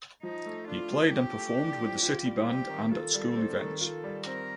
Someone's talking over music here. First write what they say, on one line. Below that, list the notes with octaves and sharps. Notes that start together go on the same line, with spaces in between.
He played and performed with the city band and at school events.
F3 D#4
A3
D4 F4
F3
F3 G4
A3
D4
F3
F4
G3
C4 G4
D#3
F4 A4
G3
C4
D#3
F4 A4
G3
C4 A#4